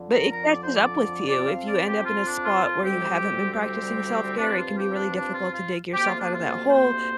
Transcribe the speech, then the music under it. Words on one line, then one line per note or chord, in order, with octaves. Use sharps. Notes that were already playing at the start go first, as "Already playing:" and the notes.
but it catches up with you. If you end up in a spot where you haven't been practicing self-care, it can be really difficult to dig yourself out of that hole
Already playing: F2 D3 F3
A#4
A#4
D5
C5
D5
F2 F3 C4 D5
F5
D5
G4
F4
D4
F4
F4
D2 C3 G3 C4 G4
G4
G2 F3 C4 D4
F4
G4
D4
D4
F4
F4
D2 C3 A#3 G4
F4
D4
F4
C5